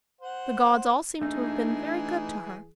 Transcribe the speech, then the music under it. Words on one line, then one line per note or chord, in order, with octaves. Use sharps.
The gods all seemed to have been very good to her.
C5 F#5
E3 A3 D4 D#4 G#4